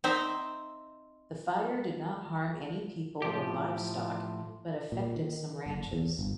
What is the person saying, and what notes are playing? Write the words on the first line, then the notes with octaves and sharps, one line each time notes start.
The fire did not harm any people or livestock but affected some ranches.
C4 D#4 E5
A2 F3 G4
A#2
D#3
F#1
E2
G1